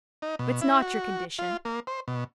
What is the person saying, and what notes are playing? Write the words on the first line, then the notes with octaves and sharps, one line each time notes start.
It's not your condition.
D#4
B2
E4
F#4
F4
A#3
C5
B2